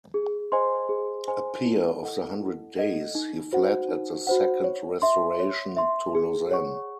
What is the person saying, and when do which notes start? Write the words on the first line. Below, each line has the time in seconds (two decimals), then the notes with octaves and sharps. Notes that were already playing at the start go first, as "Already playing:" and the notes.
A peer of the Hundred Days, he fled at the second Restoration to Lausanne.
0.14 G#4
0.52 C5 D#5 G#5 C6
0.89 G#4
1.28 C5 D#5 G#5 C6
1.65 E4
2.02 A4 D#5 F#5
2.40 E4
2.77 A4 D#5 F#5
3.15 D#4
3.52 F#4 C5 F#5
3.89 D#4
4.27 F#4 C5 F#5
4.64 C#5
5.02 E5 C6
5.40 C#5
5.77 E5 C6
6.15 G#4
6.51 C#5 F#5 C#6